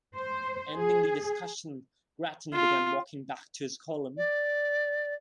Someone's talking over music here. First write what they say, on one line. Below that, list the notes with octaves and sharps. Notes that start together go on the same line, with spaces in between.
Ending the discussion, Grattan began walking back to his column.
C5
G#4
F4
D5